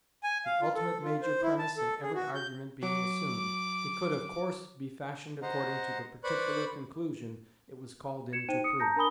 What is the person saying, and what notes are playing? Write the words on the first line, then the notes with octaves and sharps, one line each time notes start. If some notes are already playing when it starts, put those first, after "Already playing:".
The ultimate major premise in every argument being assumed, it could of course be fashioned according to the particular conclusion it was called in to prove.
G#5
F5
F4
A4
F4
C5
E4
A5
A4
G#4
F#4
G6
F#3 D6
C5 D#5 F#5 A#5
B4 C5 D5 B5 C#6 F#6
G#6 C#7 E7
D#4 C5 G5 D#7
D#6 C#7
A5 A#5 G6 A#6
D4 A#4 G#5 B5 D#6 G7